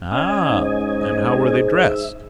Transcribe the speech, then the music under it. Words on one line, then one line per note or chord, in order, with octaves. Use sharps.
"Ah! and how were they dressed?"
C#4 D#5 G#5
G#2
E5